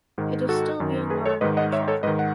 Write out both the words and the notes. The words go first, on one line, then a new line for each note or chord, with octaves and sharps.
It is still being learned by children.
G#2 D#3
F#4 A4
F#2 D#3
G#4 B4
A4 C#5
G#2 D#3 B4 D#5
D#5 F#5
C#5 E5
A4 C#5
G#2 D#3 B4 D#5
F#5